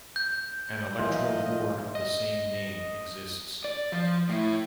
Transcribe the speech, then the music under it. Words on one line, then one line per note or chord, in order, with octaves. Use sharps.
An electoral ward of the same name exists.
G6
B1 E3 A#3 F4 D#5 E5
D#5
D5
F3
A2 E4